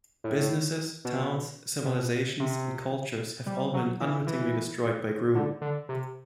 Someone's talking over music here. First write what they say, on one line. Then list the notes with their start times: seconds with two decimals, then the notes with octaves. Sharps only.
Businesses, towns, civilizations and cultures have all been unwittingly destroyed by Groo.
0.24 A2
1.05 B2
1.85 B2
2.40 C3
3.46 G3
3.74 F#3
4.01 E3
4.27 E3
5.35 D3
5.61 D3
5.89 C3